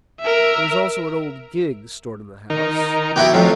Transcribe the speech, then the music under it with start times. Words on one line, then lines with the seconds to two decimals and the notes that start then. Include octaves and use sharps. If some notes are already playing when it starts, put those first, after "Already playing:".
There is also an old gig stored in the house.
0.21 A#4 E5
2.50 D#3 D#4 A#4
3.16 B3 E4 F#4 G4 G5 D6
3.33 F2 F#3 A3 F4